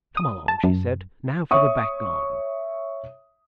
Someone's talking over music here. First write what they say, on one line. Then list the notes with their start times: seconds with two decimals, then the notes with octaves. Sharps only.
"Come along," she said; "now for the back garden."
0.17 D#6
0.48 A5
0.64 F#2
1.51 C#5 E5 C#6 D#6